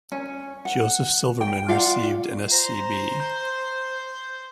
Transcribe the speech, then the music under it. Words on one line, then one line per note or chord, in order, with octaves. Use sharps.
Joseph Silverman received an Sc.B.
C#4
F#5
G5
F4 D5 F5 F#5
C5 A#5
G6